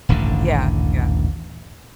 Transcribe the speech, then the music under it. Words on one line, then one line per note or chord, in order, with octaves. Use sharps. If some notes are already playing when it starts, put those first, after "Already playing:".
Yeah. Yeah.
D#1 A1 G2 D3